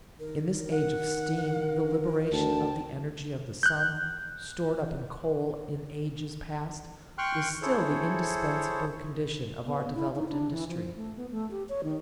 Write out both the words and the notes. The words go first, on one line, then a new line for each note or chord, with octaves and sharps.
In this age of steam the liberation of the energy of the sun, stored up in coal in ages past, is still the indispensable condition of our developed industry.
D#3 A#4
F#5
A#4
D2 G5 A5
F#6 G6
G5 C6 C#6 F6 F#6
E4 G#4 A4 C5 C#5
B3
E4
D#4
D4
E3
F3
A3
B3
A3
G4
C#5
D#3